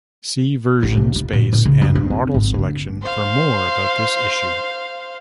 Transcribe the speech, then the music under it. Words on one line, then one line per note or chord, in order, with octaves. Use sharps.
See Version space and Model selection for more about this issue.
A1
C3
F4
A#2
A#2
C#3
F#2
G2
C4
G#1
D2
C5 F5